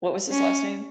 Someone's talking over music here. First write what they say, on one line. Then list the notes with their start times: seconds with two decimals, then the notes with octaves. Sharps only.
what was his last name?
0.32 C#4